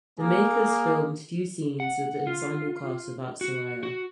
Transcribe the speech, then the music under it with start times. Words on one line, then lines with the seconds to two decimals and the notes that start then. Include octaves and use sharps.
The makers filmed few scenes with the ensemble cast without Suriya.
0.19 A#3 G#4
1.80 F#5
2.27 F4
3.41 F#4
3.83 F#4